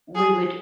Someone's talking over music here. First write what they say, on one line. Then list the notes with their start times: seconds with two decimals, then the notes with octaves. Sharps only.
we would
0.15 G#4